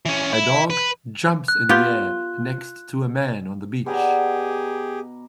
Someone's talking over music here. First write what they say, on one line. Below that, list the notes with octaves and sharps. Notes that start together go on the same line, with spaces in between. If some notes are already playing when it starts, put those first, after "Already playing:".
A dog jumps in the air next to a man on the beach.
E3 C#4
E4
B4
F#6
B3 F4 G4 G5
B2 G4 G#4 D5 A#5